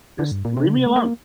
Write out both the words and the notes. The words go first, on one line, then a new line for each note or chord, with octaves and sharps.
Just leave me alone.
D3
G2
A#2
C3
D3
C3
A3
A#3